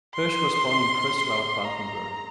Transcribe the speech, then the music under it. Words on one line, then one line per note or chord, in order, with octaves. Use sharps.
Hirsch was born in Prenzlau, Brandenburg.
C6
A#5